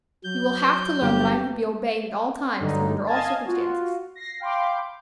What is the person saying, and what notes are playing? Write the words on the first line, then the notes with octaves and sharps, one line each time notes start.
You will have to learn that I am to be obeyed at all times, and under all circumstances.
F#3 G6
G1 G4
G2 D3 F#3 D#4
D#5 F5 G#5 A5 G#6 A6
F4 F#4
A#6 C7
F5 G5 B5 C6 D6